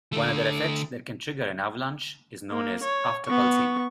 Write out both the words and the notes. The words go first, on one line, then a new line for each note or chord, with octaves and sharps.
One other effect that can trigger an avalanche is known as afterpulsing.
D3 A3
A#3
C#5
B3 C#6